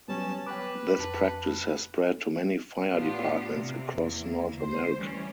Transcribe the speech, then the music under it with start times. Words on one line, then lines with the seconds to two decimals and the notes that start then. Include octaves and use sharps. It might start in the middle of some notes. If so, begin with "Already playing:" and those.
This practice has spread to many Fire Departments across North America.
0.08 F#3 G3 B3 C#4 A5
0.47 B4 G5 D6
0.99 F2 A5
2.93 A2 B3 D4 F4 G4
3.51 C3
3.96 E2 A#3 E4
4.53 D2 C5
4.99 E3 G3 C#4